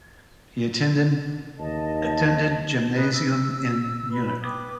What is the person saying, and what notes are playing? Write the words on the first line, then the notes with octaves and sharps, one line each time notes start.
He attended Gymnasium in Munich.
D#2 D#5 A5
D#4 B4
E6
B4 B5
B4 G5 D6 D#6